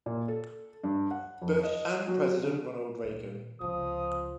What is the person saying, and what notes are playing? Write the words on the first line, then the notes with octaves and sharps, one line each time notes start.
Bush and President Ronald Reagan.
A#2
A4
G2
F#5
F2
D#5
F#3
D3
A#2 D#3
C#2 C3 F3 D#6